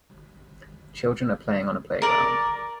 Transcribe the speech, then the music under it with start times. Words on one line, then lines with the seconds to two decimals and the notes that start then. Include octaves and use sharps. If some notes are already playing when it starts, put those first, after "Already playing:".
Children are playing on a playground.
2.02 A#4 D5